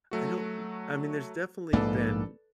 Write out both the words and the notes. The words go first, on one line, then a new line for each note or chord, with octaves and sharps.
I don't I mean, there's definitely been
F#3 A3 F#4
A#1 G#2 A#3 A4 B4 D5